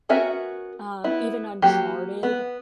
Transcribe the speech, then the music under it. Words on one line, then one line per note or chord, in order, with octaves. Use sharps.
um, even Uncharted.
B3 C#4 F#4 A#4 E5
B3 E4
F#3 A#3 G4
B3